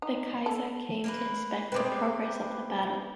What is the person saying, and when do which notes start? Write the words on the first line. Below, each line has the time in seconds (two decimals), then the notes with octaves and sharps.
The Kaiser came to inspect the progress of the battle.
0.02 D#4
0.46 A4
1.04 A#3 A#4 B4
1.72 B2 G#3 C4 B4 C5 D6